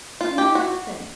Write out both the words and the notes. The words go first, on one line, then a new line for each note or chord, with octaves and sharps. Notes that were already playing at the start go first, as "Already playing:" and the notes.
"You know nothing."
F4
G4
F#4